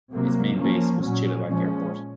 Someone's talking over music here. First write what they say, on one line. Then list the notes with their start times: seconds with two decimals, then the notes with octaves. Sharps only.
Its main base was Chilliwack Airport.
0.13 C3 F#3 A#3
0.57 F3 A#3 C#4
1.01 A#2 F#3 C#4
1.45 A#2 F3 G#3 C#4